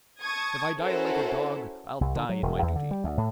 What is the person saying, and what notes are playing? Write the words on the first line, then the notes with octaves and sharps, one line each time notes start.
If I die like a dog, I'll die in my dooty.
A5 C#6 D#6 G#6
C#4 E4 F#4 A4 A#4 C5
C2
D3
F#3
E1
E2
D3
G3
D2
A2